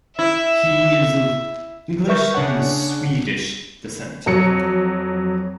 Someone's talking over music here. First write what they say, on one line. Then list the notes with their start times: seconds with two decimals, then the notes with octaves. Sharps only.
He is of English and Swedish descent.
0.19 E4 E5
2.07 A#4 B4 E5 C#6 G6
2.34 C#3 D4 C#5 F#5
4.26 F2 F#3 C#7